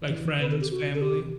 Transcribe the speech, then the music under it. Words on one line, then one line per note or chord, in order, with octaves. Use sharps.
Like, friends, family?
E3
D#3
C3 B4
A4
G4
F#4
A4
G4